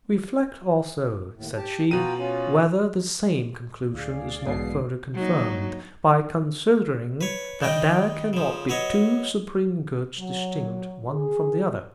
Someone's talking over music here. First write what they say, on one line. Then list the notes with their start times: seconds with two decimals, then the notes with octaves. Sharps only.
'Reflect, also,' said she, 'whether the same conclusion is not further confirmed by considering that there cannot be two supreme goods distinct one from the other.
1.34 D#2 A2
1.57 G4 A5
1.91 B2 F4 G5 A#5 D#7
2.18 C#4 F4
3.94 D2 G#4 D5 F5
4.46 B1 G#2 B2 E3 G#3 C7
5.14 F#3 A#3 D#4
7.21 B4 C#5
7.62 D#3 G3 D5 D#5 G5
8.33 C#3 F3
8.69 F#3 B4 C#5 D#5
10.19 F#3
11.10 G#4